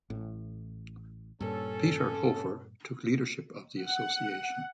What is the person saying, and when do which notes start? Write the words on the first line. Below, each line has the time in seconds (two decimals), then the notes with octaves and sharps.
Peter Hofer took leadership of the Association.
0.10 A1 A2
1.40 G2 A#2 C#4 A4
3.82 F#5